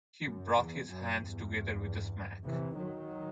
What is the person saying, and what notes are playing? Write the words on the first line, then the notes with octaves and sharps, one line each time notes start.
He brought his hands together with a smack.
F#2
E2
F#2
E2 G2
C3 E3
D#3 F#3